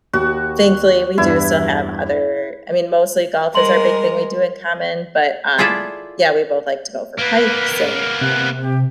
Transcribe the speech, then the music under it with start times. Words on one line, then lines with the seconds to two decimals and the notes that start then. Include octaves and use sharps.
thankfully, we do still have other I mean, mostly golf is our big thing we do in common, but, um Yeah, we both like to go for hikes and,
0.13 D#2 F#4
1.18 E2 G2 E4
3.55 G3 G#3 A#4 C6 F#7
5.58 E4 F4 G#4 A4 D5 E5
7.18 A#3 B3 B4
8.21 C3 F#6
8.60 G4